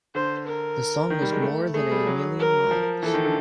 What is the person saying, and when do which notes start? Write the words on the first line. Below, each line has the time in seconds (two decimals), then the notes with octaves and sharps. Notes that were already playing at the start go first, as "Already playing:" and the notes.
The song was "More than a Million Miles".
0.15 D3 C5
0.47 A#4
1.10 D#3
1.22 G3
1.32 G#3
1.42 A3
1.74 A3 G#4
1.91 G3
2.07 F#3
2.39 A#4
2.71 F3
3.03 E3 A4
3.14 D#3
3.25 D3